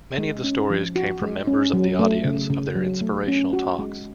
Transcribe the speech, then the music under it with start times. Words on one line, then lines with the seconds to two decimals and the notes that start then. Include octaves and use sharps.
Many of the stories came from members of the audience of their inspirational talks.
0.18 G#3
0.44 C#4
0.70 F3
0.96 F#4
1.22 G#3
1.47 C#4
1.73 F#3
1.99 A3
2.25 C#3
2.50 C#3
2.76 F#3
3.01 A3
3.28 C#4
3.53 F#4
3.79 G#3